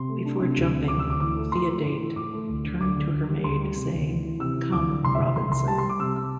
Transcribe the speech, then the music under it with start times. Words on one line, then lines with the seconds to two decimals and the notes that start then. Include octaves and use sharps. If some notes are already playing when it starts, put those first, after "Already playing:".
Before jumping, Theodate turned to her maid saying, Come, Robinson.
Already playing: C3 C6
0.09 A3
0.25 D4
0.40 C3
0.57 D2
0.73 C3
0.88 D2 D6
0.99 E6
1.05 D2
1.10 D6
1.20 E3 D6
1.36 A3
1.52 A2 C6
1.68 A3
1.85 A2
2.00 E3
2.16 A2 D6
2.33 A3
2.49 D2
2.64 D3
2.81 D2 D6
2.96 D3
3.12 D2
3.28 G3
3.44 D2 C6
3.60 G3
3.76 C3
3.92 D2
4.08 E3
4.25 E3
4.40 C3 E6
4.57 E3
4.73 D2 D6
4.88 D2
5.04 C2 C6
5.15 E5
5.20 C2
5.25 E5
5.36 C2 C6
5.52 C2 C6
5.67 G3 A5
5.78 C6
5.84 G3
5.90 D6
6.00 C3 E6
6.16 E6